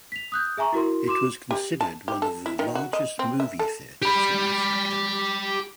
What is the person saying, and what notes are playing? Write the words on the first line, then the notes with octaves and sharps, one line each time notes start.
It was considered one of the largest movie theaters in Africa.
B6 F7
D#6 F#6 G6
G#4 E5 G#5 A#5 C#6
E4 F#4 A#4 C6
F#4 C6 D6 E7
G4
A5
G4
A4
E4
D#3
F#4
D#5
C4
E5
A4
G4 B5